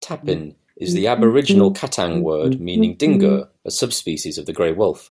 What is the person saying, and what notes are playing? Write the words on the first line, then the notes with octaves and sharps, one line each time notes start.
"Tapin" is the Aboriginal Kattang word meaning dingo, a subspecies of the grey wolf.
D3
F3
A3
G3
F3
C3
A3
G3